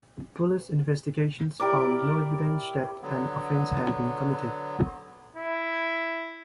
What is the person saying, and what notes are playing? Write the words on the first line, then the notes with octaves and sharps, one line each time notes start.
Police investigations found no evidence that an offence had been committed.
E4 G4 A#4 D5
D3 F#3 B3
E4